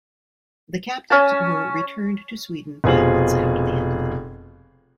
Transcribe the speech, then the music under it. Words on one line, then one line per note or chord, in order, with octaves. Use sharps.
The captives were returned to Sweden five months after the end of the war.
C#4 G#5 A5
F1 B2 F4 G#4 C5 F#7